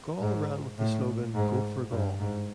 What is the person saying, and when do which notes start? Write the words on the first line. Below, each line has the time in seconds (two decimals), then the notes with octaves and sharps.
Gaul ran with the slogan Go For Gaul!
0.20 G#2
0.78 A2
1.34 G#2
1.91 G2
2.20 G#2